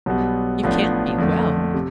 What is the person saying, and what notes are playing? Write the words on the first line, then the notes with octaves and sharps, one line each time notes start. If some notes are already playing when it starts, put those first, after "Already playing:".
'You can't be well.
B1 B2 G3 B3
A1 A2 F3 B3 D4
F2 D3 A3
C3